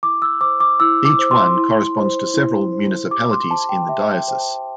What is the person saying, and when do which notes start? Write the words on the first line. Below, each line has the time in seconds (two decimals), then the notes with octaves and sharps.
Each one corresponds to several municipalities in the diocese.
0.03 E4 D6
0.22 E6
0.41 C5 D6
0.60 D6
0.80 E4 E6
1.05 D6
1.19 C5
1.31 C6
1.57 E4
1.96 C5
2.34 E4
2.72 C5
3.11 G4 D6
3.31 C6
3.50 C5 A5
3.69 G5
3.89 G4 E5
4.14 G5
4.28 C5 G5
4.40 A5